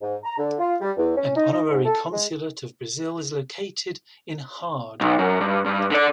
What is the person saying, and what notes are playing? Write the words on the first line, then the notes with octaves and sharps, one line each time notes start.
An honorary consulate of Brazil is located in Hard.
G#2
A#5
D3
F4
G3
E2
C#4
D#4
D#4
G#2
A4
G#3
B1
F#2
G2
G2
D3 D5